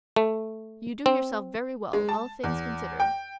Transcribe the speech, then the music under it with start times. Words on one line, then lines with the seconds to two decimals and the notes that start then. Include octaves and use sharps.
You do yourself very well, all things considered.
0.16 A3
1.06 C4
1.93 G#3
2.09 A5
2.44 E2
3.00 G5